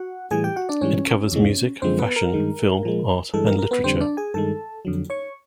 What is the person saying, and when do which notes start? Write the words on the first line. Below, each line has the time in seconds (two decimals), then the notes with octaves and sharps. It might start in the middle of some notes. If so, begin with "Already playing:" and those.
It covers music, fashion, film, art, and literature.
Already playing: F#4 F#5
0.31 A2 E3 G3 G#4 G#5
0.44 G4 G5
0.56 F#4 F#5
0.69 D4 D5
0.81 G#2 E3 G3 C#4 C#5
1.32 E2 C3 E3 G#3
1.82 F#2 D3 F3 G#3 C4 C5
1.99 B3 B4
2.16 A#4
2.33 G2 D#3 G#3
2.83 A#2 F3 G#3
3.34 G2 E3 G#3 A4
3.46 A#4
3.59 A#4
3.71 B3 B4
3.84 F2 D3 G3 C4 C5
4.01 D4 D5
4.17 G#4 G#5
4.34 G2 D#3 G#3 A4 A5
4.85 F2 D3 F#3
5.10 C#5 C#6